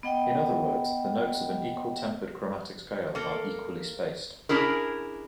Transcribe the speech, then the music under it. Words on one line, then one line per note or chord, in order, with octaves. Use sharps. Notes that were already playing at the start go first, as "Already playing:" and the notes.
In other words, the notes of an equal-tempered chromatic scale are equally spaced.
B3 D#5 F#5 G5
A#3 A4
C#4 D4 E4 G#4 A#4